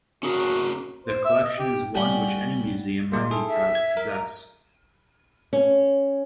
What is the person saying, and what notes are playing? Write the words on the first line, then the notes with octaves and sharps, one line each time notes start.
The collection is one which any museum might be proud to possess.
C#4 F#4 G#4 A#4
C5
E5
D#5
G4
G3 C#4 F#5 G5
A#2 G#3 A#3 C6
E4 G#4 A4
E5
G#6
A#4
A#5
C#4